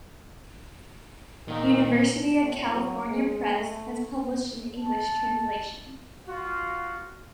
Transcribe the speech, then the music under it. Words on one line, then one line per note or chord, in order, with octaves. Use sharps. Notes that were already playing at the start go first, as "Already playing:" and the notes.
University of California Press has published an English translation.
A#2 D#3
A2
F#3
G#3
A3
A5
F4 F#4